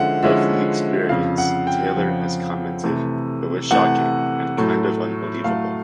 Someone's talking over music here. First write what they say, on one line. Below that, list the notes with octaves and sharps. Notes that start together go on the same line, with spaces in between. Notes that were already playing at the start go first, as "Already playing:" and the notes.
Of the experience, Taylor has commented: It was shocking, and kind of unbelievable.
Already playing: D3 F3 G#3 C#4 E4 F#5
D3 F3 G#3 C#4 E4 E5
F2 C#3 F3 F5
F#5
G5
F2 C#3 F3
C3 E3 A3
C3 E3 A3 F#5
A2 F#3 A3
A2 F#3 A3 F5